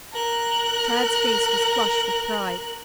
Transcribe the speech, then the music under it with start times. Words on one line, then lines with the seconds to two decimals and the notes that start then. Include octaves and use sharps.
Tad's face was flushed with pride.
0.12 A#4 F#6